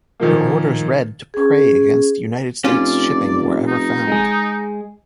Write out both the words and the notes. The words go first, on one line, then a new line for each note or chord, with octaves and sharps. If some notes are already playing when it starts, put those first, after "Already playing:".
Her orders read to prey against United States shipping wherever found.
A#2 D#3 F3 A#3
C#4 G#4
F1 C#4 F4 D5
D#4
G#3 G#4